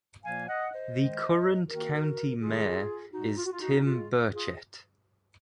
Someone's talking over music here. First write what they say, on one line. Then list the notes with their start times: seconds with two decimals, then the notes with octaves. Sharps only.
The current county mayor is Tim Burchett.
0.24 A#2 F3 A#3 F5 G#5
0.48 D#5 F#5
0.72 C5 D#5
0.96 D#3 G#3
1.68 D#3 A#3 F#4 A#4
2.40 C3 D#3 G#3 F4 G#4
3.12 A#2 G#3 D#4 F#4
3.36 F4
3.45 F#4
3.52 F4
3.60 D#4 F#4
3.84 C#3 G#3 F4
4.33 F4 G#4